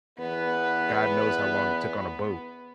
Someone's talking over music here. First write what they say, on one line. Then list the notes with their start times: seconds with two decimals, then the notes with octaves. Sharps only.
god knows how long it took on a boat.
0.19 E2 B3 B4